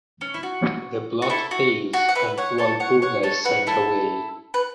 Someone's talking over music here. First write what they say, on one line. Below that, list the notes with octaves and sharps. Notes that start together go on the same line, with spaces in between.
The plot fails and Walpurga is sent away.
C#4
E4
F#4
F#4
E4 A4
F#4
F#4
F#5
B4 E5
C#5 F#5
A4 C#5
C#5 F#5
C#5 F#5
A4 C#5
F#4 B4
E4 A4
B4